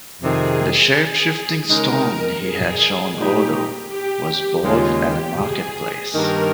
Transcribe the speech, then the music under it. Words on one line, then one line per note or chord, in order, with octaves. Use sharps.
The shapeshifting stone he had shown Odo was bought at a marketplace.
F2 C3 D#3 G#4
G#4
C#3 G#3 D#4 A#4
A#4
G#4
A#2 G#3 D#4 G4
G4
D#2 C#3 G#3 C#4 F4
G4
G#4
G2 D#3 A#3 D#4 A#4